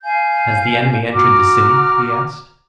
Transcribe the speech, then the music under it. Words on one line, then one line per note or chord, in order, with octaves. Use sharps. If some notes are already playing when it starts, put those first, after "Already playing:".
"Has the enemy entered the city?" he asked.
F5 G#5 G6
F#4 A#5 D6 F6